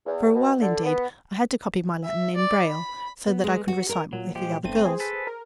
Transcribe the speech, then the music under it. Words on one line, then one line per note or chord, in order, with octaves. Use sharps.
For a while, indeed, I had to copy my Latin in braille, so that I could recite with the other girls.
E2
B2
D3
B3
E5
D5
B5
B3
G#3
F#4
A#4
A#2 F#3
F3 G#3 G4
G1 A3 C4 D#7
G#4 C5
A4 B4
A#4